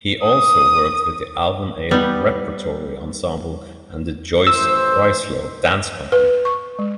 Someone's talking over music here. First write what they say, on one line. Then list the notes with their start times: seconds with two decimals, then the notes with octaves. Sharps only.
He also worked with the Alvin Ailey Repertory Ensemble and the Joyce Trisler Danscompany.
0.23 D#6
1.91 G3 B3 D#4
4.47 A1 E3 C5 E6
6.12 B4
6.45 C#6
6.79 G#3